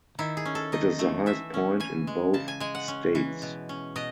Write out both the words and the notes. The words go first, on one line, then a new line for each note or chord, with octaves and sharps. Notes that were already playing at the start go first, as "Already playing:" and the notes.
It is the highest point in both states.
D#3 E4
G#4
C#4
A4
D#3 D#5
A3
E3 E5
C#4
E3 G#5
G#3
C#3 A5
G#5
G#3 G#5
F#5
C#4
E3
B2
C#4
B2 D#5